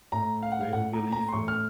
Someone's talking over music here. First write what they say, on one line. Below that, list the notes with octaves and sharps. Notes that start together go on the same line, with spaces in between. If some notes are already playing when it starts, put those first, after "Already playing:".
They'll believe him.
A2 A#5
F5
F#5
F5
A2 F#5
A#5
A#5
C6
A2 C#6
F6